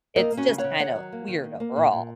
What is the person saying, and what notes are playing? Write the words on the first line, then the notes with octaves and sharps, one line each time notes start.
it's just kind of weird overall.
A#3 A#4 D#5
A#3
C#4 F#4
C#3
C#5 F#5
C#3
D#3 C#5 F#5
F#3
A#3
D#3
A#3
A#3
A#2
A#2